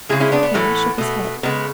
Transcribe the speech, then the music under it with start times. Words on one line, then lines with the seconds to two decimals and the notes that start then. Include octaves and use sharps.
Kara shook his head.
0.09 C#3 G#3 E4 G#4
0.20 C#4 E4
0.32 B3 D4
0.43 B3
0.54 A2 E3 A3
0.98 B2 A3
1.43 C#3 G#3 B3